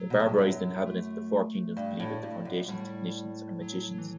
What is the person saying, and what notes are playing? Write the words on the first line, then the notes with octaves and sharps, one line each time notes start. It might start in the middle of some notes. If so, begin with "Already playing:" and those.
The barbarized inhabitants of the four kingdoms believe that the Foundation's technicians are magicians.
Already playing: F#3
B2
A2
G2
F#2 F#3
A3
G2
A2
G2
F#2
A2 G3
F#3
F#3
E3